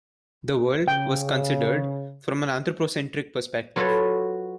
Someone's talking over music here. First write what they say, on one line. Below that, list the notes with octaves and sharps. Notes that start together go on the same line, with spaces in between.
The world was considered from an anthropocentric perspective.
C#3 G5
F#3 F4 F#4 A4 B4 C#5